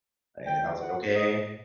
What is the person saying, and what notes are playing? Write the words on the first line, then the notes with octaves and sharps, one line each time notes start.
and, I was, like, "Okay."
G5
F#5
D#5